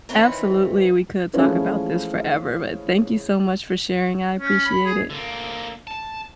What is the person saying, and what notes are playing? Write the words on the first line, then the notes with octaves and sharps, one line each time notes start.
Absolutely, we could talk about this forever. But, thank you so much for sharing. I appreciate it.
D#3 E3 C4 F4 B4 C#5
E3 F3 G#3 A3 C#4 E4
C#4
B5
G#4
D3 A#3
A5